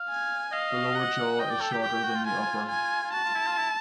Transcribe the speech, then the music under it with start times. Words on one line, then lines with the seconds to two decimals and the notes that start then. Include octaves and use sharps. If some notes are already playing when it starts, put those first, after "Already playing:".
The lower jaw is shorter than the upper.
Already playing: F5
0.09 G#5
0.52 D#5 F5
0.95 F#5
1.39 D#5 G5
1.50 D5
1.61 A4
1.72 G4
1.82 G4 G5
1.94 G4
2.04 F#4
2.15 F4
2.26 F4 G#5
2.69 G#5
3.04 F4
3.13 F#4 A5
3.25 F4
3.35 E4
3.46 F4
3.57 E4